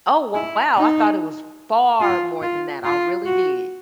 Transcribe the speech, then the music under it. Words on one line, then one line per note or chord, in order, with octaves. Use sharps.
Oh, wow, I thought it was far more than that. I really did.
E4
D#4
F4
F4
F4
F#4